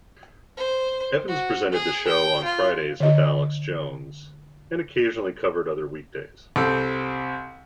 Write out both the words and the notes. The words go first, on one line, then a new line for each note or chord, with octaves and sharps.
Evans presented the show on Fridays with Alex Jones, and occasionally covered other weekdays.
C5
F#4
G#4
G5
F4
D3 D#5
C2 C4 A4